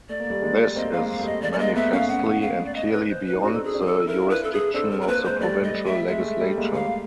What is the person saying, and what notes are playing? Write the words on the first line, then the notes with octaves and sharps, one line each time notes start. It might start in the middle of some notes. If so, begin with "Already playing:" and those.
This is manifestly and clearly beyond the jurisdiction of the provincial legislature.
A3 D5
A#3
G3 A3
G#3 A#3
A#3 C4 D#5
F5
G#3 A#3
F5
G3 A3
D#5
G#3 D5
D5
G#3 A#3 D#5
A3 B3 E5
B3 C#4 F5
F#5
F5
D5
D#5
B4
C5
B4
D#4
C4 D4 F#4
A4
G#4
C4 D4
G#4
A4
E4 A#4
F4
D4 E4 B4
A4
G#4
C4 D4 A4
A#4
A#4
A#3 C4 B4
G#3 C5
G3 A3 D5
D#5
G3
E5
G#3 E5
A3
G#3
G3 A3
G#3 A#3
F5